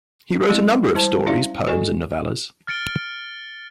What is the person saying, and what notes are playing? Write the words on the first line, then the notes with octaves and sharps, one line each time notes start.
He wrote a number of stories, poems and novellas.
F#3 G#3 C4 E4
G3 E4 C5 A5
C#4 D4 E4 D5 E5 F5
F#4 A4 D5 D#5 G#5 C#6
F6 A6 C#7 D7 G7